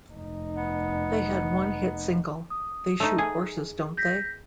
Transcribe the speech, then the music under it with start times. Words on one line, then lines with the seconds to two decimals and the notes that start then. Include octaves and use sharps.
They had one hit single, They Shoot Horses, Don't They?
0.13 F1 D#4
0.57 B3
2.50 D#6
3.00 A3 D#4
3.18 G#4
3.97 G6 A#6 B6